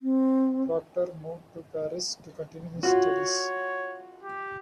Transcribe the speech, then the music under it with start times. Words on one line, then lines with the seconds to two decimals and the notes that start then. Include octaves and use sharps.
Proctor moved to Paris to continue his studies.
0.01 C4
2.83 F4 F#4 C#5
4.23 G4